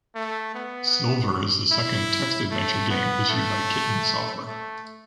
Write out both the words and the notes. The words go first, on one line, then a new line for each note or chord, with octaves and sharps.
Silver is the second text adventure game issued by Kitten Software.
A3
B3
E4
A3
B3
A3
A3